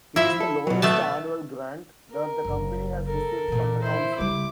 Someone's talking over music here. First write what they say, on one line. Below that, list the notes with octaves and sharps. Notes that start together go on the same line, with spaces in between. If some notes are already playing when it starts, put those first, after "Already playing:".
It is the lowest annual grant that the company has received from the council.
F3 E4 E5
A4
B2 F#3
A3 B3 A5
A#4
F#1 C#3
A4 A#4
A#2 E3
E4 C5
C#3 G3 D6